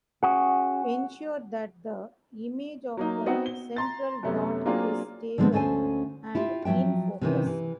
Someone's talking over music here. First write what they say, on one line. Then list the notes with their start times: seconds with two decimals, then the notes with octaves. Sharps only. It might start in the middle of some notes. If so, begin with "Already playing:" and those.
Ensure that the image of the central dot is stable and in focus.
0.23 C#4 F#4 G#4 F#5
2.97 F#3 A#3 D#4
3.26 B3 C4 D#4 F#4 F#5
3.46 G7
3.76 A#5 C6 A6
4.23 F#2 C3 A3 B3 C#4
4.65 F#3 A#3 C4 D4 F4 G#4
5.38 D3 F3 G#3 A3 B3 C4
5.52 D2 C#4 A4 C5 G#5
6.35 E4 F4 G4 E5
6.65 F3 F#3 B3 E5 G5
7.21 C3 D#3 E3 C#4
7.46 E3